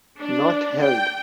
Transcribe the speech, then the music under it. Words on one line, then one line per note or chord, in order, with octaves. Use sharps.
Not Held.
D4
G5